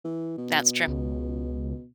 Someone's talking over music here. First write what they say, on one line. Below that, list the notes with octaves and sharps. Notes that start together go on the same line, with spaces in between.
That's true.
E3
B2
C#2